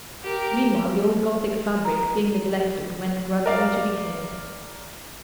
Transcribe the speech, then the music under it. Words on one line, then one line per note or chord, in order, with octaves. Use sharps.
Meanwhile the old Gothic fabric, being neglected, went gradually to decay.
G4 A#4
A#5
A#4 D5 F5